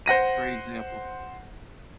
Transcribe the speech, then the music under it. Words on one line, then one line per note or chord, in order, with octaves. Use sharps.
great example.
C5 F#5 A#6 D#7